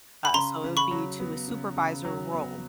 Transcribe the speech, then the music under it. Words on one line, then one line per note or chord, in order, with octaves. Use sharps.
uh, so it would be to a supervisor role.
B5
C#3 A#5 C6
C#3
B5 C#6
F#3
B3
C#3
C#3
F#3
B3